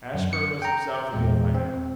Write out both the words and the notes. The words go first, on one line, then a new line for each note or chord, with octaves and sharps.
Ashburn was himself again by now.
F#2
C#7
G5 A#5
E2 A#2 G#3
C4